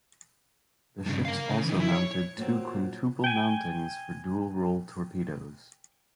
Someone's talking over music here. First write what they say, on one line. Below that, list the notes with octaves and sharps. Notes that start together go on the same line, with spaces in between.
The ships also mounted two quintuple mountings for dual-role torpedoes.
G2 C#3
A#4 F5
C#3
E3 D#4
E4
C#5
A#2 F#3 C4
G5 G#5